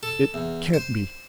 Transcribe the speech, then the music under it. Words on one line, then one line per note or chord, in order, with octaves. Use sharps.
It can't be.
A4
E2
C5